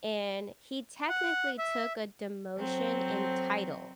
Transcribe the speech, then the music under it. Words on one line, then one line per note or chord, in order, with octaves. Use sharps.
and he technically took a demotion in title,
F#5
E5
F#3 C4 A4 C5